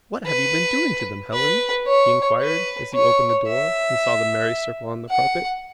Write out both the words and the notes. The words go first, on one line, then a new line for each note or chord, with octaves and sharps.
"What have you been doing to them, Helen?" he inquired, as he opened the door, and saw the merry circle on the carpet.
B4
B4
C#5
B4
C#5
E5
F#5